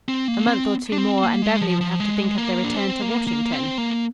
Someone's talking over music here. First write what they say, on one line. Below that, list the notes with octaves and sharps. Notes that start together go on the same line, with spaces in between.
A month or two more, and Beverly would have to think of the return to Washington.
C4
A#3
C4
D4
C4
A#3
G#3
F3
F3
G#3
A#3
D4
C4
A#3
A#3
C4
A#3